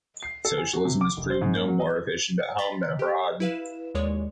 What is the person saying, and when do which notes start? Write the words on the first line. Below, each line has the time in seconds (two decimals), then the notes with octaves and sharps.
Socialism has proved no more efficient at home than abroad.
0.23 C7
0.45 A4
0.58 G#5
0.73 F#4
0.85 C3
1.01 D6
1.17 F1
1.30 C5
1.41 G#2
1.55 A#3
1.68 F#3
1.80 D#5
2.58 A#5 C6 A6 B6
2.99 G4
3.40 E4 B4 F5 E7
3.95 D#2 G#3 C#5 D5